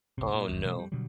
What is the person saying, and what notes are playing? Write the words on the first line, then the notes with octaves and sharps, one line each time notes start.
Oh, no.
G1 C2 C3
A#2
G1 D#2
B2 E3 G#3
G3
B2 D3 F#3 G3